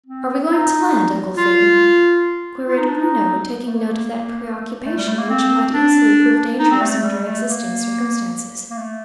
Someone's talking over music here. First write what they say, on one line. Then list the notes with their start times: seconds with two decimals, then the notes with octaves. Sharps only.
"Are we going to land, uncle Phaeton?" queried Bruno, taking note of that preoccupation, which might easily prove dangerous under existing circumstances.
0.06 C4
0.51 D#4
1.37 F4
2.68 F4
2.77 D#4
2.87 D4
2.97 D#4
3.66 A3
3.77 A#3
3.88 A#3
4.86 A3
4.97 G3
5.08 A3
5.18 A#3
5.29 C4
5.73 D4
6.59 D#4
6.71 C4
6.81 A3
6.92 A3
7.03 G3
7.24 A3
7.46 A#3
8.70 A#3
8.77 A3